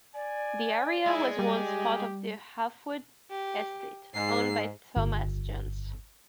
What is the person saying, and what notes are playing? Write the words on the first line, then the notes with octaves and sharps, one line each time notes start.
The area was once part of the Hafod Estate, owned by Thomas Johnes.
D5 G#5
G#3 E4 G#4
G3 G4
G4
G#2 C7
G1